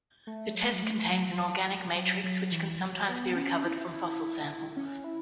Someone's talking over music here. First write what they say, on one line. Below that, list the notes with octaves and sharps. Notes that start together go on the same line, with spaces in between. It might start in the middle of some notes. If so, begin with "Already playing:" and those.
The test contains an organic matrix, which can sometimes be recovered from fossil samples.
A3
F#3
A3
F#3
A3
F#3
F#3
F#3
E3
F#3
B3
C#4
E4
C#4
E4